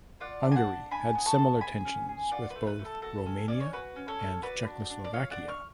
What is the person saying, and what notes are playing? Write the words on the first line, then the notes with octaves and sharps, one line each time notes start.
Hungary had similar tensions with both Romania and Czechoslovakia.
F4 D5 F#5
D4
G#5
F#5 A5
D4
D4 G#5 B5
B3
A5 C#6
A4
G#4 G#5 B5
C#4
G#4
F4 D5 F#5
B4
A3
B4
A3
A4
F#4 A4
C#4
C#4 D5
C#5
F#4 B4
C#4
A4 C#5
C#4
F#4 B4 D5
D4
D4
D5
F4 C#5 F5
D5 F#5
D4
C#6 F6